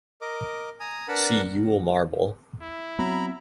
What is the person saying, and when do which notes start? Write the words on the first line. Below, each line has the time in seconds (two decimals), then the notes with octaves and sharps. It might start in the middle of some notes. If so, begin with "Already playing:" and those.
See Yule marble.
0.21 A#4 D#5 D6
0.80 G#5 A#5 D#6
1.08 D4 A#4 B4 F#5 A5 B5
2.61 E4
2.99 F#3 B3 C4 A#5 B5